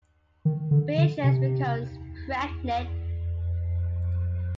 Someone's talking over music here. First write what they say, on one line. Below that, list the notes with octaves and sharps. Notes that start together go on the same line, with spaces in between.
Beatrice becomes pregnant.
D#3
D3
D3
C3